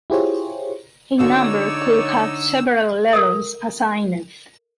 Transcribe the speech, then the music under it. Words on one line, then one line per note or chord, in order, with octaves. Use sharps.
A number could have several letters assigned.
E4 F4 G4 G#4 C5 C#5
D3 D#4 F#4 C#5 D5 F5 E6
A4 A#4 E5 D#6